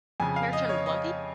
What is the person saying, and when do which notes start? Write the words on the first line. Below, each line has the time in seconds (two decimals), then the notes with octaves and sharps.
character in One Pi
0.20 F2 C#3 G#5
0.36 F5
0.53 D#5
0.69 C#5
0.86 D#5